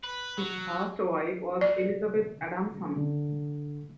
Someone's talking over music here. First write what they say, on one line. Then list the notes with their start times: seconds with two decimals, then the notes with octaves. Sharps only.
His first wife was Elizabeth Adamson.
0.03 B4
0.38 F#3
1.61 D5
2.96 D3